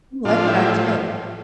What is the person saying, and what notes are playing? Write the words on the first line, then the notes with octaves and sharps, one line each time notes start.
Ooh, I forgot too.
A2 F3 D4 F4
E4 G4